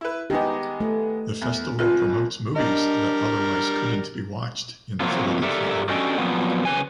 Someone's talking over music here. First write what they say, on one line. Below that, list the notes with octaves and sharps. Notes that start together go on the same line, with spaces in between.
The festival promotes movies that otherwise couldn’t be watched in the Philadelphia area.
E4 B4
D#3 G#3 B3 D#4 G4
A3
E2
G#1 C#2 F4 B4
G3 D4 A#4 D#5
C3 F3 F#3 A#3 C4 F4
G4 A4 A#4 D5 E5
C#4 D4 F#4 G4 A4 D#5
A#2 F3 F#3 B3 C4
C#3 B4 G#5